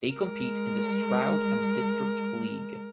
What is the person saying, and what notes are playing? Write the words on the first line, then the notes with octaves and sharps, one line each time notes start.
They compete in the Stroud and District League.
G#3 A#4